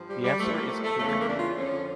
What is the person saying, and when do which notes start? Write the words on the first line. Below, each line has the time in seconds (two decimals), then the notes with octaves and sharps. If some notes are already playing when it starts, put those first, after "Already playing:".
The answer is clear.
Already playing: G2 F3
0.10 G3
0.24 G3
0.39 A2 F3 A3
0.54 A#3
0.69 A3
0.84 A3
0.99 E2 C#3 E3 A3
1.09 A3
1.19 A#3
1.28 D4
1.38 F4
1.58 F2 D3 F3 C#4